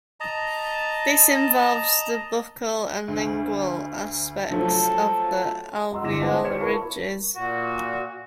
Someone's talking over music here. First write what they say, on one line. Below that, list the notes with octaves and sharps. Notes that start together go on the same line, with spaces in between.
This involves the buccal and lingual aspects of the alveolar ridges.
D#5 A5 A#5
D2
F3 F#3 A3 A4
D#5 F#5 A#5 C6 E6
G1 E4 D6 A#6 E7
C5 D#5 F#5 A5 C6
C#5 G#6 C#7 E7
E4 A#4 A5 B5 C#6
A#2 F#4